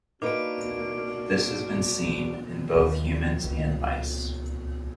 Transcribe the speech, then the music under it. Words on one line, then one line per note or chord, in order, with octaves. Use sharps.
This has been seen in both in humans and mice.
A#3 D4 D#4 F#4 A#4 B4 D6 D7
D#2
C#2